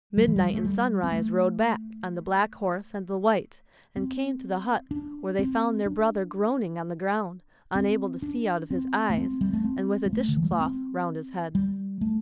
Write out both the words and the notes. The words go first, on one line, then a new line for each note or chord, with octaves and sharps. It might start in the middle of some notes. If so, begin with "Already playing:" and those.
Midnight and Sunrise rode back, on the black horse and the white, and came to the hut, where they found their brother groaning on the ground, unable to see out of his eyes, and with a dishcloth round his head.
G3
E3
G3
A3
G3
C4
A3
C4
D4
C4
D4
C4
D4
C4
A3
C4
G3
A3
C4
G3
A3
D3
E3
G3
A3
C4
G3
A3